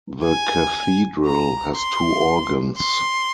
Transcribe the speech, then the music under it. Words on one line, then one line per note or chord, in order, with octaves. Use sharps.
The cathedral has two organs.
G#5
A#5
C6
C6